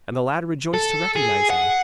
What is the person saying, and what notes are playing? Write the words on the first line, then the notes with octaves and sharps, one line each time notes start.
And the lad rejoiced to recognise him.
A4
G#4
F#5